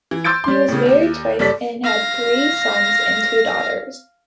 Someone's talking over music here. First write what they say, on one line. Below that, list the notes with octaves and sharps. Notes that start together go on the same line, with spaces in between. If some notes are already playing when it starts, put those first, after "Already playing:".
He was married twice and had three sons and two daughters.
E3
C6 E6 G6 A6 D7
G3 C6
A2 C#3
D#2
F#1 G3 A4 D5 B6
F5 A#6